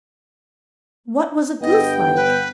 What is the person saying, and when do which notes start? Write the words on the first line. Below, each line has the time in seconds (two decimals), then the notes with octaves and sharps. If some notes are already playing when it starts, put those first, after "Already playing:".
'What was a goose like?'
1.61 G1 B3 D#5 G5
2.15 B4